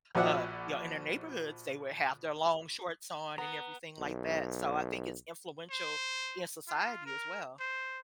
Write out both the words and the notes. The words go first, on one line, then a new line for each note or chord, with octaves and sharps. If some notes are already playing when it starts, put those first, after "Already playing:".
uh, you know, in their neighborhoods, they would have their long shorts on and everything like that, so I think it's influential in society as well.
A#1 F3 F#4 D5 E5 F#5
B3 A#5
B1
C5
F4
A#4
C5